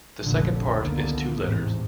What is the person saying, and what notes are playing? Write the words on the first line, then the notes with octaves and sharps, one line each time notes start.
The second part is two letters.
F1 A#1 A#2 D3
C#2 D3 D#3 A#3 B3
A1 E2 G#2 C3